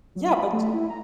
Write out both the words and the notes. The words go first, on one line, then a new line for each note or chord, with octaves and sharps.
Yeah, but
F#3
B5
A3
E4
A#5